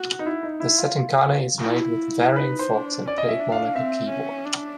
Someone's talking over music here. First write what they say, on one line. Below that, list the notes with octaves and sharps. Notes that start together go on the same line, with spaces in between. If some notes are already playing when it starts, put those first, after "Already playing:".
The setinkane is made with varying forks, and played more like a keyboard.
Already playing: F#4
D#4
E4
D#4
E4
F4
F4
E4
D#4 B4
C5
D4
C#4 D5
D#5
E5
D4
F5
C4 E5
C#4
D4